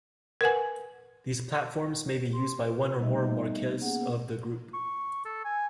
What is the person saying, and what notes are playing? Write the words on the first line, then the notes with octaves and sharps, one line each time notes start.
These platforms may be used by one or more marques of the Group.
A#4 B4 F#5 G#5
G4 C6
F4 B4
G3 A3 B3 D#4 D#5 E5
A#3 B3 C#4 G#4 F#5
C#6
A4
G#5